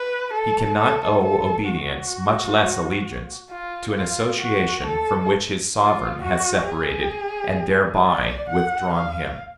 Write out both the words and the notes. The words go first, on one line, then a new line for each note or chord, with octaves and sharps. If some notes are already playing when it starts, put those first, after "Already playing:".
He can not owe obedience--much less allegiance--to an association from which his sovereign has separated, and thereby withdrawn him.
Already playing: B4
A4
A4
A4
F#4
F4
F4
F#4
A4
F4
F#4
G#4
D5
F#5
F5